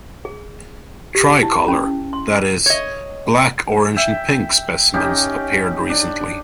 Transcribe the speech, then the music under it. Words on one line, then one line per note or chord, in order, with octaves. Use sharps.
Tri-colour, that is, black, orange and pink specimens appeared recently.
G#4
G4
E4
C#4
C6
C#5 D#5
E5 G5 G#5
C#4 D#4 G4 D6
D4